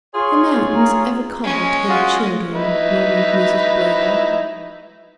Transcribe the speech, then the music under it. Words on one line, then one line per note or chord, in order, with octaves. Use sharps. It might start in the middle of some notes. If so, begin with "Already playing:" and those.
"The mountains ever call to their children," murmured Mrs. Blaylock.
F4 G#4 C#5 C6
A#5
G#3 C#4
F4 F#4 G#4
D#4 E4 B4